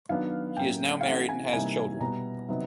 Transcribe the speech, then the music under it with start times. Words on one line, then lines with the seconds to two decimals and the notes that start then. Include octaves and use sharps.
He is now married and has children.
0.09 D#3 F#3 B3 D4 F5
0.57 A2 F#3 A#3 C#4 E4 G5
1.01 F5
1.05 E3 A3 C#4 F#5
1.29 G#5
1.52 C3 E3 G3 A#3 D#4 G#5
2.00 B2 G3 B3 A#5
2.48 C3 D#3 F#3 B3 D#4